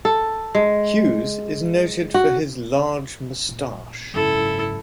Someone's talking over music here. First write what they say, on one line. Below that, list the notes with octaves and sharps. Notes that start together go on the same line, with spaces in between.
Hughes is noted for his large moustache.
A4
G#3
F#4
A#2
F#1 G#2 E4 A4